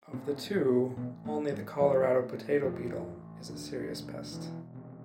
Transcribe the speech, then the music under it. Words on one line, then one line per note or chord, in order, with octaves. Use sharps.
Of the two, only the Colorado potato beetle is a serious pest.
A2 C3 C4
A2
A1 B2 B3
A2 A3
A1
G#2 G#3
F2 A2 F3
A2
A1 F2 F3
A1
D2
E1
E1 E3
C3